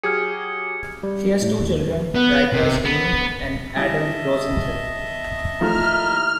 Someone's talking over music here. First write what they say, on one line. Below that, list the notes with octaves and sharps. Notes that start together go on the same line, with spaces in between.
She has two children, writers Amy and Adam Rosenthal.
F#3 G4 G#4 F6 G#6 C#7
G3
A2
D#2
B3
C3
B3
E3 G3 D#5 E5 A5
D#2 F3 A3 E4 A#5 F6